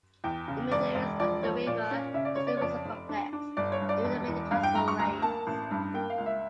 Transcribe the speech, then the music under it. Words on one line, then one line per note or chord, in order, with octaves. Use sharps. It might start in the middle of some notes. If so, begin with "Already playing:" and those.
The meanderings of the river is extremely complex, leaving many oxbow lakes.
E2 G5
C#3
E1 D5
E1
F3 D5
F3 C#5
A#2 D5
C#4
C#3 E5
D5
C#3 C#5
D5
C#5
F2 D5
F1
D4
D4
G1 D5
C#5
G2
D5
E1
E2
G2 F5
G5
G2 A#5
C#6
D2 A#5
A#3 A5
A1
G2
A#3 G5
F5
C#2
E5